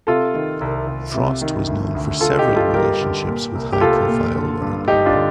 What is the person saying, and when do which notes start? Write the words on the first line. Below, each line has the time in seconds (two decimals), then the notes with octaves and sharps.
Frost was known for several relationships with high-profile women.
0.07 C3 F4 A4
0.34 D#3
0.61 C2
0.87 C2
1.14 C3
1.41 D#3
1.67 D2
1.95 D2
2.21 D3 F4 A4
2.38 D#4 G4
2.48 G2
2.56 F4 A4
2.74 G2 G4 A#4
3.01 D3
3.27 A#2
3.55 C2
3.73 G4
3.81 C2 F4 A4
4.08 A#2
4.35 D3
4.61 G2
4.87 G2 D#4 G4
5.06 D4 F4
5.15 D3